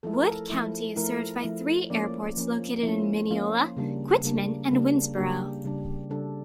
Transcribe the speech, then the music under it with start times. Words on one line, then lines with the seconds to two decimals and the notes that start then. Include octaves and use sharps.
Wood County is served by three airports located in Mineola, Quitman, and Winnsboro.
0.03 F3 A3 E4 A4
0.13 A#4
0.23 A4
0.50 F3 A3 E4
0.96 F3 A3 E4 A#4
1.43 F3 A3 E4
1.90 F3 A#3 C#4 D5
2.37 F3 A#3 C#4
2.83 F3 A#3 C#4 E4
3.31 F3 A#3 C#4 F4
3.77 C#3 G3 A#3 D4
4.24 C#3 G3 A#3 D4
4.71 C#3 G3 A#3 D4
5.17 C#3 G3 A#3 D4 G4
5.64 C#3 G3 D4
6.10 C#3 G3 D4 A4